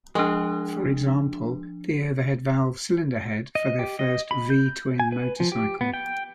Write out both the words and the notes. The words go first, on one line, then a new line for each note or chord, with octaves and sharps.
For example, the overhead-valve cylinder head for their first V-twin motorcycle.
F3 G#3 D4
D#5
G4
D#5
B5
G6
G#5
B4
F3
G4
B3
G5